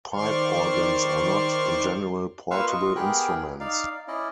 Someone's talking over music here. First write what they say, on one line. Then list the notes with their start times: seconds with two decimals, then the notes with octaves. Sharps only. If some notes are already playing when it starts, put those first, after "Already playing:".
Pipe organs are not, in general, portable instruments.
0.13 D#3 C5 D5 C6 C#6 F6
2.51 A#3 F4 B4 F5 C#6 E6
2.68 F4 D#5 C#6
2.96 B3 G4 G#4 A#4 G5 F#6
3.60 D#4 D5 F5
4.08 C#4 E4 D5 D#5